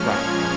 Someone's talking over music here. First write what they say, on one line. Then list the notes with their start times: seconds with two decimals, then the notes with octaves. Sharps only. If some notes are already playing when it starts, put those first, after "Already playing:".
Right, right.
Already playing: A#2 F3 G#3 C#4 F6
0.13 G#6